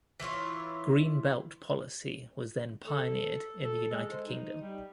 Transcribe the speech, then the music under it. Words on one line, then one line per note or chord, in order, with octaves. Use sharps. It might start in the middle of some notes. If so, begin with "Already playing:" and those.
Green belt policy was then pioneered in the United Kingdom.
E3 E4 F4 C#5
A4
A4
G#3
C5
D#4
G3